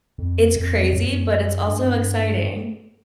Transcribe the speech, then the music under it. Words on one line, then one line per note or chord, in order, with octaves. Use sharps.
it's crazy, but it's also exciting.
F2
F2
F#2
G2